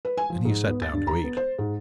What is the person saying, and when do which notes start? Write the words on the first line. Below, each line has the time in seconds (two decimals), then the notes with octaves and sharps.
Then he sat down to eat.
0.05 B4
0.17 G#5
0.30 F3
0.45 G#2
0.67 B3
0.82 A6
0.93 G2
1.07 A#5
1.24 B3
1.37 C5
1.59 G#2